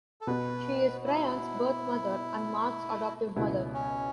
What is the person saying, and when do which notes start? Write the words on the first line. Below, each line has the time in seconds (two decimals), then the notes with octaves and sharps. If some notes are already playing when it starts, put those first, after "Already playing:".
She is Bryon's birth mother, and Mark's adoptive mother.
0.21 A4
0.27 B2 B3 F#4 B4
1.05 E4
3.36 C#2 B2 B3 E4
3.74 C#4